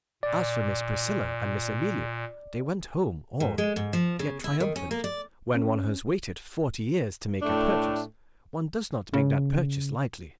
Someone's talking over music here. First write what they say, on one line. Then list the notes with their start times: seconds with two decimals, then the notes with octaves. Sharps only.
As for Miss Priscilla and Miss Amelia, they went home awed, yet triumphant: when one has waited forty years to make a purchase one does not make that purchase lightly.
0.23 A#2 D5
3.40 G#2
3.58 G#3
3.76 G#2
3.93 F3
4.19 C#3
4.44 E4
4.60 D#3
4.76 C#4
4.91 A#3
5.04 D5
5.55 C#4
7.42 A2 A3 D4
9.14 C#3